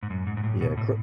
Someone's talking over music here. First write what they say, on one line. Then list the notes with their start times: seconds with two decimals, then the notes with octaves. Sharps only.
Yeah, cro
0.03 G#2
0.10 F#2
0.27 G#2
0.37 G#2
0.44 A2
0.61 B2
0.77 A2